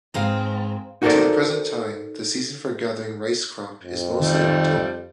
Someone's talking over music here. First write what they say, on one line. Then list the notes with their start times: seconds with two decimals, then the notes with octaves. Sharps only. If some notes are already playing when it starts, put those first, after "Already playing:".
To the present time, the season for gathering rice crop is mostly in October.
0.14 G#2 G#3 C4 B4 F5 A#5
1.02 D#4 F#4 A4 A#4 C5 D5
3.84 F2
4.20 D#3 G3 A3